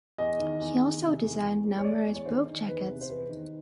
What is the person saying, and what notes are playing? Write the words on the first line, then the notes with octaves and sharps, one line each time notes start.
He also designed numerous book jackets.
E2 D#5
D#3
E2
D#3
C3
E2
E2
E2
C#5
E2 D5
E2
C#5
D#3 C5
D#3
E2 B4
C3
C5
E2 B4
D#3